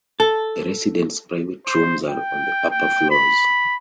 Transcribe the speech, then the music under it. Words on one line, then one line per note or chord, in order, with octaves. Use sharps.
The residents' private rooms are on the upper floors.
A4
C5
G5
G5
B5